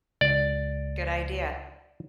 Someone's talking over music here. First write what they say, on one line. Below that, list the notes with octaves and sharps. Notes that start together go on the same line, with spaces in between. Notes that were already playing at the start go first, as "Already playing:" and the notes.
Good idea.
C#2 D5